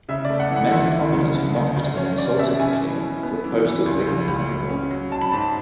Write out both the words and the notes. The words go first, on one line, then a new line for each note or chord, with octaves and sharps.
Many commoners mocked and insulted the king with posters written in hangul.
C#3 E5
A3 D5
F#5
E3
F#5
F#5
C#2 E5
E3
C#3
D3
D2
D2
C#4 C#5
C#4 D5
B2 E5
C#4 G#5
E4
E4
B3
E3
E3
C#2
C#2
C#2
F#3
C#4
F#3
F#3 A5
B5
G#2 A5